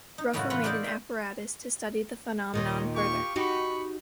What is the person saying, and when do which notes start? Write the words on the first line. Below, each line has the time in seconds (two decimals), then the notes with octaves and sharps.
Ruffo made an apparatus to study the phenomenon further.
0.18 D#4
0.33 F#2 A2 C#3 G#3 E4 F#4
0.50 E3 F4 B4 F#5
0.64 D#4 A4 A#4 C5 D5
0.84 G5
2.54 D#2 A#2 D#3 C#5 D#5
2.93 F4 G4 C#6
3.36 D#4 F#4 G4 B5 C#6